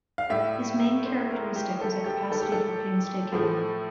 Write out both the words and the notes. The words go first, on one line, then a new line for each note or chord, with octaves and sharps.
His main characteristic was a capacity for painstaking work.
F5
A2 G3 E5
C5
A#4
G4
A4
G4
A4
G4
A4
A2 F3 A3